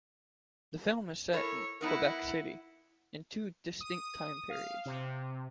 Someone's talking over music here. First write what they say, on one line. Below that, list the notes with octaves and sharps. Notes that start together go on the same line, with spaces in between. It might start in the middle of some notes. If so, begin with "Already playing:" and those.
The film is set in Quebec City, in two distinct time periods.
E4 A4 A#4 C#5
B3 D#4 E4 A#4 F#5
D#6
F5
C3